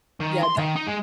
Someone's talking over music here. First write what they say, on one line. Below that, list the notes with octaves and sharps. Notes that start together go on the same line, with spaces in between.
Yeah, th
D#3
C6
D#3
D#4
G#3